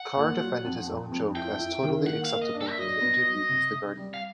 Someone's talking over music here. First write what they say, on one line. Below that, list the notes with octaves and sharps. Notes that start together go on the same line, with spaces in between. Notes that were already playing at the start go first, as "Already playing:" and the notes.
Carr defended his own joke as "totally acceptable" in an interview with "The Guardian".
Already playing: F#5
A#2
F#3
F2
F2
F2
E4 G5
E4
D#3
A#3 F#5
F5
A#3
D#5
D4
A4
E5
F#3 D#5
B3
F#3
C3
C3
G3
F5